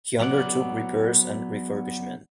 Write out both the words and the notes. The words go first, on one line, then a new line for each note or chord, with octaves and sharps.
He undertook repairs and refurbishment.
F#3 B3 D5 F#5